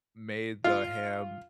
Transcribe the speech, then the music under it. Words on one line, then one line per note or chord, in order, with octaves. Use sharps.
made the ham
F4